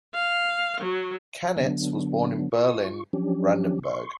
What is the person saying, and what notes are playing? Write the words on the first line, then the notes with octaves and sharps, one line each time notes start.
Canitz was born in Berlin, Brandenburg.
F5
F#3
D3 F#3 B3 D4
F4 C#6
F3 F#3 C#4 D4 G4
C6 C#6